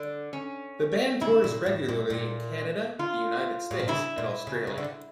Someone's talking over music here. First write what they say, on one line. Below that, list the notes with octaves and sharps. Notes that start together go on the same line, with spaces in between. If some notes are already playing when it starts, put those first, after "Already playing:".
The band tours regularly in Canada, the United States and Australia.
Already playing: D3
C#4
C#3 E4
A#2
A2
A#2
A#2
F4
A2
A#2
C#3 E4
A#2
C#3
C#3
D3